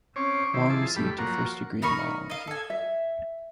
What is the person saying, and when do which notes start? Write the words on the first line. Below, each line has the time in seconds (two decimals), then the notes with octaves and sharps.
Wong received her first degree in biology.
0.16 C4 C#4 C#5 D6
0.54 D#3 E4 C5 D6
0.70 F3 E4 G#4 A5
0.96 G2 A3 G4 B5
1.18 F3 F#3 A#3 F#4 A#4
1.82 D#4 A#4 B5 C#6
2.30 D#5 F5
2.47 A4 G#5
2.70 E5